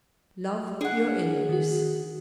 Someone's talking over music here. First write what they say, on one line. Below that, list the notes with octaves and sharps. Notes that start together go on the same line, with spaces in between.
Love Your Enemies.
D4 G#4 F#5
D#3 F#4